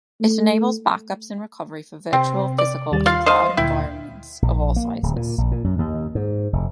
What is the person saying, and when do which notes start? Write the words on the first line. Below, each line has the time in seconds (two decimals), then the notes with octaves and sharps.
It enables backups and recovery for virtual, physical and cloud environments of all sizes.
0.21 A3
2.13 C3 C4
2.58 D5
2.92 D#2 G3 A6
3.06 F4 F5 C7
3.26 C5 D#5 F5
3.57 D2 A#2 E4 G5
4.42 A#1
4.76 A#3
5.03 D1
5.16 A#2
5.38 A#1
5.51 A#2
5.64 F#2
5.79 D#2
6.15 G#2
6.53 F1